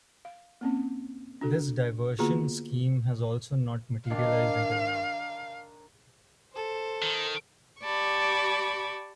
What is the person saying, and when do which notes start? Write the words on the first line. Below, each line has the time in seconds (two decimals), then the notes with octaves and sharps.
This diversion scheme has also not materialized until now.
0.25 F5
0.61 A#3 C4 C#4
1.41 D4 F#4 A4
2.19 D3 A#3 B3 F4 F#4 G#4
4.10 D#3 D4 F5
6.53 A4 C5
7.02 D#3
7.81 G4 D5 A5 B5 C#6